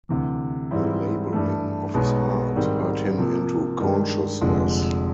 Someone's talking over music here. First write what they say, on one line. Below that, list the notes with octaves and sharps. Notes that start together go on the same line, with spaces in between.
The labouring of his heart hurt him into consciousness.
D2 C3 E3
G#2 E3 G3 C4 E4
G2 E3 A3
B1 B2 G#3 B3 D#4
G#2 D#3 G3 C4
C3 F3 A#3
G2 D#3 G#3
F1 F2 D3 F3 G#3